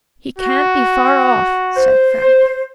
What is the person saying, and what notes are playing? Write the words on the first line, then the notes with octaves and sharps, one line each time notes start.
"He can't be far off," said Frank.
F#4
C5